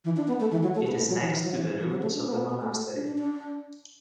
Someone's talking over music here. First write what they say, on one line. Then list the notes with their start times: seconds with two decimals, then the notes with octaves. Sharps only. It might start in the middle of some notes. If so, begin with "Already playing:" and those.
It is next to the ruins of the monastery.
0.05 E3
0.16 D4
0.28 B3
0.40 A3
0.51 E3
0.63 F#3
0.75 A3
0.87 B3
0.98 A3
1.09 F#3
1.21 E3
1.33 E3
1.44 F#3
1.56 E3
1.79 E3
1.91 F#3
2.02 A3
2.14 D4
2.25 B3
2.33 A3
2.37 B3
2.49 B3
2.61 A3
2.72 A3
2.95 D4
3.07 D4
3.18 D4